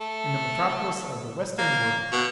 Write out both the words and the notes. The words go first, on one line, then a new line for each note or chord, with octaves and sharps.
In the metropolis of the western world!
A3
A#3
B2